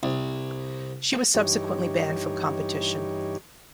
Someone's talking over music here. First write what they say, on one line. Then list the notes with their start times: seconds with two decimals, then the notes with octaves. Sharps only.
She was subsequently banned from competition.
0.03 C2
1.34 G2 E3 D#4 G4 C#5